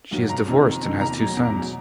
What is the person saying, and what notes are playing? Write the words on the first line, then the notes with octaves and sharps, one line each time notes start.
She is divorced and has two sons.
G2 D#3 F#3
F1 A#5
F2 C3 D#3
F1
F2 C3 D#3
E2 A#5
B2 F#3
E2
B2 F#3